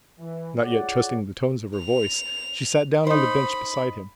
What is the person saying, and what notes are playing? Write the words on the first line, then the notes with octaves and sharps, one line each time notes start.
Not yet trusting the tones of her voice, she sat down on the bench beside him.
E3
F4 G#4 C#5 D5 F#5
F7
D#4 C5 B5